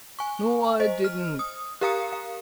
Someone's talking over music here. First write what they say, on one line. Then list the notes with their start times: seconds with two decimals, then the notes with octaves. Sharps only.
No, I didn't.
0.19 G#5 C#6
0.80 C5 D#5
1.04 F6
1.39 D#6
1.81 G4 A#4 F5 A#5 D#6 C#7
2.12 F5